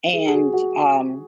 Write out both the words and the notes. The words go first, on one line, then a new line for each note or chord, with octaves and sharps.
And, um,
G#4
G#4
F#4
F#4